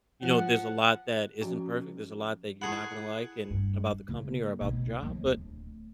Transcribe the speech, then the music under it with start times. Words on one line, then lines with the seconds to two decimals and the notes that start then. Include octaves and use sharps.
you know, there's a lot that isn't perfect, there's a lot that you're not gonna like and about the company or about the job, but,
0.23 F3 F#5
1.41 F3 C#4 F#4
2.62 E4 G#4 F#5 A5 B5
3.50 G2
4.08 C#3 A#3
4.61 B1 D#4
5.03 D#2 F3
5.25 D1